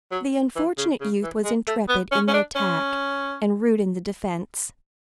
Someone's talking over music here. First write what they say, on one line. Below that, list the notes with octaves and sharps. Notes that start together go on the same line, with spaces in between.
The unfortunate youth was intrepid in the attack, and rude in the defence.
F#3
E3
C#3
C#3
E3
G#3
A3
B3
C#4
C#4
D4
C#4